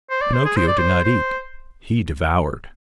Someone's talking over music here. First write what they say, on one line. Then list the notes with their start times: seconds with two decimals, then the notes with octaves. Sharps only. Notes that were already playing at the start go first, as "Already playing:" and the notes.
Pinocchio did not eat; he devoured.
0.10 C5
0.21 D5
0.33 C5
0.45 G#4
0.57 C5
0.67 D5
0.78 C5
1.04 C5